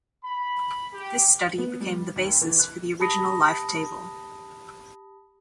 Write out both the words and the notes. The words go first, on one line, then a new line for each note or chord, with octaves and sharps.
This study became the basis for the original life table.
B5
G4
B3
G3
D#2
E3
F#6
G4 A5 B5 D#6 A#6